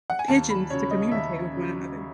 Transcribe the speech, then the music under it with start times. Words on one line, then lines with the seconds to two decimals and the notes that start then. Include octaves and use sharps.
pigeons to communicate with one another.
0.10 F#5
0.19 G#5
0.28 D#2 A5
0.49 B5
0.70 C#3 F#3 C#5
0.91 D#5
1.11 D#2 E5
1.53 C#3 F#3